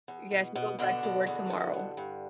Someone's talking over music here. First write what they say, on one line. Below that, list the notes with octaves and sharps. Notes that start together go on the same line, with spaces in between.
Yeah, she goes back to work tomorrow.
E2
B2
B2
B2 D3 D4
B2
E2
B2
G2
G2